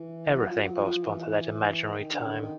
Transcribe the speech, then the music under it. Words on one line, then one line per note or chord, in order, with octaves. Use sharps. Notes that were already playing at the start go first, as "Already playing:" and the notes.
Everything postponed to that imaginary time!
Already playing: E3
F#3
F3
F#3
F3
F3
E3
D#3
D3
C#3
D3
D#3